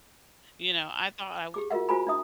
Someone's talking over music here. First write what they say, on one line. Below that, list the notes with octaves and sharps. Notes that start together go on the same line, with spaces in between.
You know, I thought I wa
G4 G#4 D6
F4 F#4 A#4 E5 F#5
F4 F#4 C5 G#5 A#5 B5
D4 E4 E5 D#6